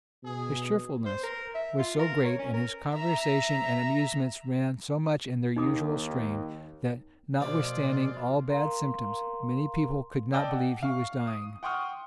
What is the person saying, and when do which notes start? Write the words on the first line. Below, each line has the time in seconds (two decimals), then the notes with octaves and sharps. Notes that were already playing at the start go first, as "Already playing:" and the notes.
His cheerfulness was so great, and his conversation and amusements ran so much in their usual strain, that, notwithstanding all bad symptoms, many people could not believe he was dying.
0.24 B2 G#4
1.06 C5
1.23 A#4
1.54 E5
1.78 F4
1.99 A#4
2.25 C#5
2.39 C#4
2.54 A#4
2.95 E5 A#5
5.56 D#2 D#4 D6 D#6
7.40 B2 F3 G#3 A#3 F4 D5 B5
8.49 A#4 F5 A#5 C6
10.33 D5 D#5 G5 A5 D6 E6
10.50 F#5
10.83 F5 C#6
11.27 D#6
11.63 F#5 G5 C6 C#6 D#6 F6